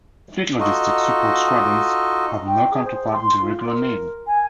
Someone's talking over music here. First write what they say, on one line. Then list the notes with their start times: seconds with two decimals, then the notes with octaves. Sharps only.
Fleet Logistics Support squadrons have no counterpart in the Regular Navy.
0.60 D#4 F4 F#4 A4 D#5
2.47 G5
2.71 G#4
2.84 C5
3.12 C6
3.41 F4
3.64 A#4
4.27 G#5